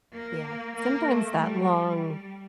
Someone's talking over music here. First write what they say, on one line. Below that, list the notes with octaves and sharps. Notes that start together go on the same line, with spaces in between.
Yeah. Sometimes that long
A#3
A#3
A3
G3
G3